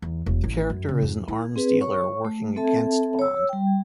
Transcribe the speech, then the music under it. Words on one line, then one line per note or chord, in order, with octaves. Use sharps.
The character is an arms dealer working against Bond.
E2
E1
A1
F#2
C#3
F2
E4
C4 G#4 B4
C#5 C#6
A3
C4 A4 E5 A5
C#5 E6
G3 G5